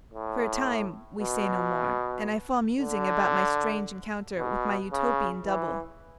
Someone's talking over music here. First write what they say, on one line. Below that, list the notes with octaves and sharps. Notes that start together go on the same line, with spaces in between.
For a time we say no more, and I fall musing about my strange encounter with my Utopian double.
A2
B2
D3
B2
C#3
E3